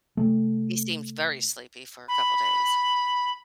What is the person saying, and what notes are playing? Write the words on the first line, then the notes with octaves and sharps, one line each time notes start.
he seems very sleepy for a couple of days.
C3 A3
B5